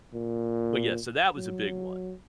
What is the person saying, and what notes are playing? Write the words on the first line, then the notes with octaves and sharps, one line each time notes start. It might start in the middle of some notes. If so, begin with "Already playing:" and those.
but yeah, so that was a big one.
A#2
F#3